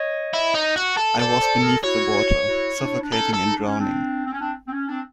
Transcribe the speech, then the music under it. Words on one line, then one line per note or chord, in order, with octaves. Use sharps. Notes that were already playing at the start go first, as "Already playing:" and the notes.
I was beneath the water, suffocating and drowning.
Already playing: C#5 D#5
E4
D#4
F#4
A4
A4 C5 D5
C5 D5
G#4 A#4
E4 F#4 C#5
E4 F#4
D4 E4
D4
C#4 D#4 A4
A4
D#4
D4
C#4
C4 D4
C4
C#4
C4 D4
C4
C#4
C4 D4